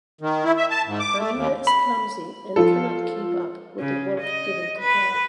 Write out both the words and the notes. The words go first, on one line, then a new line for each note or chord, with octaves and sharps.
Amina is clumsy and cannot keep up with the work given to her.
D#3
E4
E5
A5
G#2
D6
A3
D#2
B5
F3 F4 A4
C#3
D#5
B4